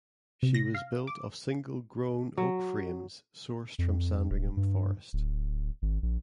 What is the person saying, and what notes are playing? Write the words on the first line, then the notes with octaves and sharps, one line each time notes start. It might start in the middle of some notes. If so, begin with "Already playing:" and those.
She was built of single grown oak frames sourced from Sandringham Forest.
C3
A#6
F5
D6
F#3
F2
D1
G2
D1
G#1
A#1